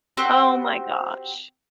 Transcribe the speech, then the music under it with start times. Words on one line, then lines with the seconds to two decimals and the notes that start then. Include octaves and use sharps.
Oh my gosh.
0.17 C4 F#4 G4